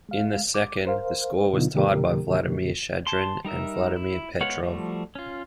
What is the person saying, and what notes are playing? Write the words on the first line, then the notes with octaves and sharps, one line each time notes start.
In the second the score was tied by Vladimir Shadrin and Vladimir Petrov.
G#3 F5
D6
A#4 C5 F5
B2 D3 F#3 B3 D#4 F4
B2 D3 F3 A3 G4 A#4
A5 C6
G3 D#4 A#4 E5
E4
G#3 B3 C#5 F5 F#5
F3 G3 A3 F#4
C#4 F4